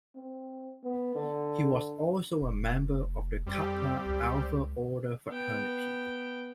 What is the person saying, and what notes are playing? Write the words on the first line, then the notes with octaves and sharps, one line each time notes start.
He was also a member of the Kappa Alpha Order fraternity.
C4
B3
D3
F1
F2 G3 C4 G4
C#2
B3 G5